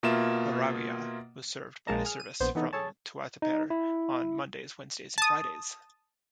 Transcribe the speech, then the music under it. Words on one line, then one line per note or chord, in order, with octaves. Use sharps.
Orawia was served by a service from Tuatapere on Mondays, Wednesdays and Fridays.
B2 A#3 F4 E5 E7
A#1 G#3 A#3 A5 A#5
G#4 F6
D#7
A#1 B3 C5
E3 B3 D#4 A4
G#4 A4 C#5 A5
D#4
E4
A5 D#6